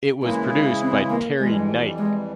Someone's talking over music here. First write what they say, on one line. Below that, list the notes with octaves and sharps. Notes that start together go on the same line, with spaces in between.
It was produced by Terry Knight.
C#3 E3 G#3 A#3 E4
C4
A#3
F2 E3 G3 G#3
G#3